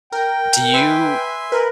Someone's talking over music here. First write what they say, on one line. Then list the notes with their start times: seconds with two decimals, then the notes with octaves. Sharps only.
Do you
0.12 A#4 G5
0.73 B4 E5 G#5 C6
1.52 A#4 B4